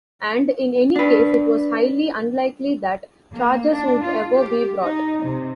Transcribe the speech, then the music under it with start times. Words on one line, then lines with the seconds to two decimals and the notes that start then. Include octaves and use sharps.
And, in any case, it was highly unlikely that charges would ever be brought.
0.96 D4 B4
3.33 A#3
3.72 D4
4.03 F4
4.34 G4
4.82 D#4
5.23 C3